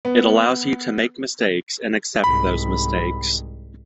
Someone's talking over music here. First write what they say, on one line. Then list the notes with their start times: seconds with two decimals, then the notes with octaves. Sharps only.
It allows you to make mistakes and accept those mistakes.
0.05 B3
2.24 C2 G#2 B5